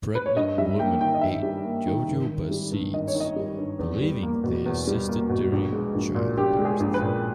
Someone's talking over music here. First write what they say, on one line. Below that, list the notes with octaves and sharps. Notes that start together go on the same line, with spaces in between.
Pregnant women ate jojoba seeds, believing they assisted during childbirth.
B4
C#5
G2 D#5
G3 E5
A#3 G5
D#3 G5
D#5
G2 E5
G3
A#3
D#3
G#1
D#3
G3
G2
G#1 D#5
C#5
D#3
D#5
G3
G2
E2
G3
A#3
B2
E2
G3
A#3
B2
A#1
G#3
A#1
A#2
A#1 G4
G#3
G#4
A#1
B4
A#2